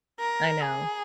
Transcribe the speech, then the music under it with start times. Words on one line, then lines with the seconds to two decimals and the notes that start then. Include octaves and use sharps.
I know.
0.20 A#4
0.61 G#4